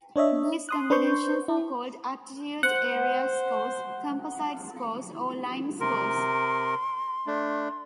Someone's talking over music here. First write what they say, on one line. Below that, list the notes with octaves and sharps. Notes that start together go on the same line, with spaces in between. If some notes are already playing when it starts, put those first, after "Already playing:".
These combinations are called "aptitude area scores", "composite scores", or "line scores".
D4 C#5 D#5 E5
C6 D#6 F#6
D4 B4 C5 C6 C#6 G6
E4
C5 F#5
C3 A#4 C6
A3 D4